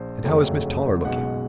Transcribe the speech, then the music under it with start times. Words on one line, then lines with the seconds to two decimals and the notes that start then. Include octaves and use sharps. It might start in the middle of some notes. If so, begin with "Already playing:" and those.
And how is Miss Toller looking?
Already playing: A#1 C5
0.24 F#1 F2 C#3 F#3 A3
1.05 B1 B2 G#3 F#5